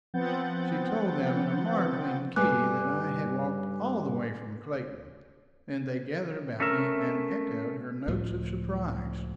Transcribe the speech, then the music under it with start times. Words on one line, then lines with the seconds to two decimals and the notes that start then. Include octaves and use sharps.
She told them in a marveling key that I had walked all the way from Clayton, and they gathered about me and echoed her notes of surprise.
0.14 F3 B3 C4 F#5 G6 A6
2.36 G2 G3 A3 B4 G#5 D6 F#6
6.60 A3 C#4 A#4 E5
8.08 C#2 A2 F3